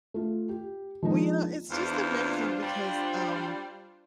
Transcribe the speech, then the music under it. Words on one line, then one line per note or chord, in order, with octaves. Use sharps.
Well, you know, it's just amazing because, um,
A3 F4
G4
F3 G#3 A#3 D4 D#4 A#4
E2 D4 F4 C5
G3